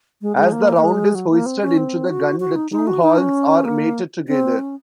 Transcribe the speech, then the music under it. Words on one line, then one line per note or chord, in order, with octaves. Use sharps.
As the round is hoisted into the gun the two halves are mated together.
G#3
G#3
A#3
A#3
G#3
F#3
A#3
C4
C#4
C4
F#4
F#4
D#4
D#4
F#4
D#4
C#4
A#3
C4
C#4